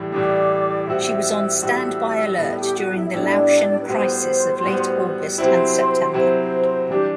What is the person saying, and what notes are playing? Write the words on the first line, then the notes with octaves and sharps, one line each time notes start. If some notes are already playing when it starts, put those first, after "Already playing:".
She was on standby alert during the Laotian crisis of late August and September.
Already playing: A2 E3 G3
A2 E3 G3 D5 D6
A2 G3 C4 F#4 E5 E6
A2 G3 C4 F#4 E5 E6
A2 G3 B3 E4 A4
G4 G5
F#4 F#5
E4 E5
E5
A2 G3 B3 D4 E4 A4 D5
B4
A2 G3 B3 F#4 C5
A2 G3 B3 F#4
C3 F#3 C4 E4 C5
C3 F#3 C4 E4 C5
E3 G3 D4 G4